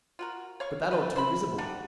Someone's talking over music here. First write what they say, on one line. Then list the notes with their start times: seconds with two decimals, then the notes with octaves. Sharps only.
"But that ought to be visible."
0.19 F4 F#4 A#4
0.60 C#5 F5 C#6
0.91 A3 C4 B4
1.16 C5 E5 B5
1.58 D4 D#4 F#4 G4